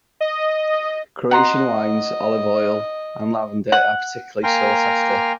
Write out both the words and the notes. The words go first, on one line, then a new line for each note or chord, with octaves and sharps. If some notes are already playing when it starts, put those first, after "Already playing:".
Croatian wines, olive oil and lavender are particularly sought after.
D#5
D#5 F#5 A#5 C6
F#5
A#3 G5 G#5 A#5 C6 F6